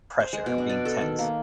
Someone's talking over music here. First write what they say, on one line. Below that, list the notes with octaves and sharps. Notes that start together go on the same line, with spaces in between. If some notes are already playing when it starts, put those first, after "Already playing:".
pressure, being tense?
C5
G#3
B2
D4
D5
A4
D#3
A#3